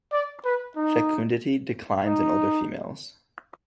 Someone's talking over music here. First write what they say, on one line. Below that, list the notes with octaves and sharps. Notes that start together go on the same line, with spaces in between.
Fecundity declines in older females.
D5
B4
D#4
D#4